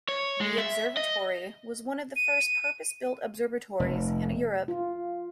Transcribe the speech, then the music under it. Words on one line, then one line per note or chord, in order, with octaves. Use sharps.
The observatory was one of the first purpose-built observatories in Europe.
C#5
G#3
E5
D#5
D#7
F1
F4